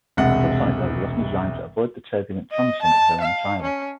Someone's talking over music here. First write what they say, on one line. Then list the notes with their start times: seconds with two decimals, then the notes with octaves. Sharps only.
Subsonic loads are often designed to avoid the turbulent transonic zone entirely.
0.17 E1 C2 G#3 F#5
2.52 D#5
2.82 A5
3.21 F5
3.62 C#4